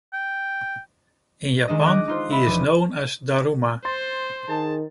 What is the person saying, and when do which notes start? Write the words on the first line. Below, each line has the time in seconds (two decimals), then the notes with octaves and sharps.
In Japan, he is known as Daruma.
0.13 G5
1.68 D#3 G#3 D4 D#5
1.84 D6 F#6 A#6 D7 D#7
2.08 D#4 F4 C5
2.31 E5 B5
2.46 E1 F3 D6 A6 D#7
3.85 C5 C6 A6
4.48 D#3 G#4 A5